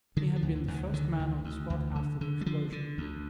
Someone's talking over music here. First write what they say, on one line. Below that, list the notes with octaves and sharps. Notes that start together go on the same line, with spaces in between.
He had been the first man on the spot after the explosion.
D3 D#3
F3
D2
D3
D2
D#3
D3 D#3
D2
D2
D2
D3
D3
G3
D3 F3
D3
D2